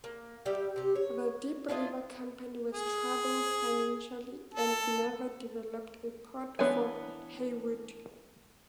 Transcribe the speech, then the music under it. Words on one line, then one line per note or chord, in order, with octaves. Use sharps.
The Deep River Company was troubled financially and never developed a port for Haywood.
A#3
G3 G4 E5 G5
C3 G4
C#5
D4 E4 F4 D#5
G#4
A4
E3 B3 D4 C#5 G#5